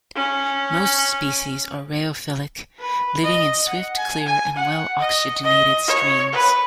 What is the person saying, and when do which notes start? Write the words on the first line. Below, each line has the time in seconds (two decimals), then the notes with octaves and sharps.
Most species are rheophilic, living in swift, clear and well-oxygenated streams.
0.15 C#4
2.79 B4
3.24 D#5
3.67 F#5
3.97 G#5
4.27 G#5
4.56 F#5
5.00 D#5
5.44 D#5
5.88 C#5
6.32 B4